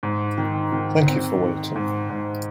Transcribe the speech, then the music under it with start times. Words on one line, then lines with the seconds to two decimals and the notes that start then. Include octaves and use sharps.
Thank you for waiting.
0.03 G#2
0.38 D#3
0.72 D#3
1.07 C4
1.41 D#3
1.76 G#2
2.10 G#2